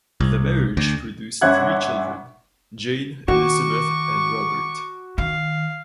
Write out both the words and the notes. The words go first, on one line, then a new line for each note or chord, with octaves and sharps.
The marriage produced three children: Jane, Elizabeth, and Robert.
C2
D2
G1 C#4 E5 F#5 F#6 G#6
D#3 F#4 C#6 D6
D#3 F5